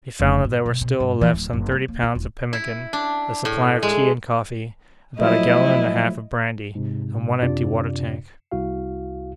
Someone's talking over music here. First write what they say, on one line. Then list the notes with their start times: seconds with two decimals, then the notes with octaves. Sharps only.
He found that there were still left some thirty pounds of pemmican, a supply of tea and coffee, about a gallon and a half of brandy, and one empty water-tank.
0.20 F1
0.45 G#2
0.66 B2
0.81 B2
1.00 G2
1.21 E3
1.33 D1
1.53 F#1
1.72 G3
1.88 A#3
2.03 F4
2.15 D#1
2.53 E4
2.93 D4
3.45 A2
3.83 G#3
5.19 F3 F#3 A3 E4 D#5
6.75 G#2 C3
7.42 F#2 C3 D4 F4 D5
8.51 C2 E4 F#4 F5